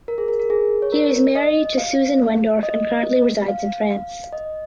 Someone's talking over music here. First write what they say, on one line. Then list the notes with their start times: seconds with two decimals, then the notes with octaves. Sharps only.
He is married to Susan Wendorf and currently resides in France.
0.08 A#4
0.18 G#4
0.28 A#4
0.40 A#4
0.50 G#4
0.82 C#5
0.92 A#4
1.35 D#5
1.78 F5
2.63 D#5
3.48 F5
3.91 F5
4.32 D#5